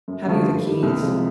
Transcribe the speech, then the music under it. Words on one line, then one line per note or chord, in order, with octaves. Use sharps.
"Have you the keys?"
F#2
D3 F3 A3
G2
D#3 G3
C2
C3 F3 G#3